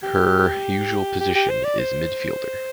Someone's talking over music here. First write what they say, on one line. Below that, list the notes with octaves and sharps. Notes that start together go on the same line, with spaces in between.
Her usual position is midfielder.
G4
G4
G4
C5
D5
C5